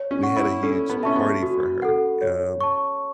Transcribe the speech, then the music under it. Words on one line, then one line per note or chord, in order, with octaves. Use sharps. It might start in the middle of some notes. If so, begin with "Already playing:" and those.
we had a huge party for her, um,
Already playing: C#5
C#4
F#5 C#6
E4
C#4 A4
B3
C#4 E5 A5 C#6
B3
F#4
A4 F#5
C#5
A5 C#6